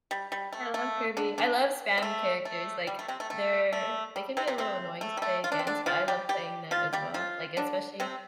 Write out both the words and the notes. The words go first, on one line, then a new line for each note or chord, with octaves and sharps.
I love Kirby. I love spam characters, like, they're they can be a little annoying to play against, but I love playing them as well, like, especially,
G3
G3
A3
A3
D3 D4
D3 D4
C4
A3
A3
G3
A3
C3 C4
A3
A3
A3
G3
C3 C4
C3 C4
C3 C4
A3
G3
A3
F4
D4
C4
D3 D4
F3 F4
G3 G4
G3 G4
F3 F4
G3 G4
F3 F4
D3 D4
C3 C4